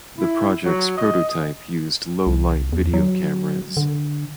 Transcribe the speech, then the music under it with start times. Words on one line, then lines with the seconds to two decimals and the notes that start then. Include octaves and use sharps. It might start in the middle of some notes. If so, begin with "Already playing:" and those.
The project's prototype used low-light video cameras.
0.18 E4
0.64 F#3
0.97 D#5
2.27 C2
2.73 E2
2.94 F#3
3.77 D3